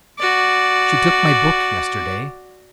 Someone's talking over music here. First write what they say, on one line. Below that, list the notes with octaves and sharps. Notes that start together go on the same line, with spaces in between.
She took my book yesterday.
F#4 D5